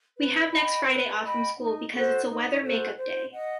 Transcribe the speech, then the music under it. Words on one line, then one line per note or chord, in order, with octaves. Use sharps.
We have next friday off from school because it's a weather make-up day.
B4
D#5 G5 B5
B4
D#5 G5 B5
D#4
F#4 A4 C5
D#4
F#4 A4 C5
C5
D#5 F#5